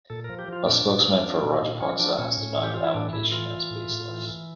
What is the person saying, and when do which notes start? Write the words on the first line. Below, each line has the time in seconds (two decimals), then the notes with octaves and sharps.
A spokesman for Rajapaksa has denied the allegations as baseless.
0.10 A#2 A4
0.24 F3 A#4
0.39 G4
0.48 F3 F4
0.67 A#2 D4
0.86 A#2
1.04 F3
1.24 F3
1.43 A#2
1.62 A#2
1.80 F3 C#4
1.99 F3 D4
2.18 A#2 C#4
2.37 A2
2.56 E3
2.63 G4
2.74 E3 F4
2.84 E4
2.94 A2 D4
3.13 A2 E4
3.32 E3 F4
3.51 E3
3.70 A2
3.89 A2
4.08 E3
4.27 E3